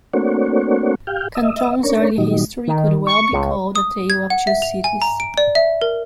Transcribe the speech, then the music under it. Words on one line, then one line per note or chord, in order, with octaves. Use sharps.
Canton's early history could well be called a tale of two cities.
A3 A#3 C4 D4 F#4 C#5
G4 F5 G5
D#5 E5
C#4 D4 A#4 C#5
A#2 D#3 F#3 G3 D#4
D#3
C#6
C#2
D#6
G#6
F#5
E5
F7
G#5
A#5
D7
D5
E5
A#4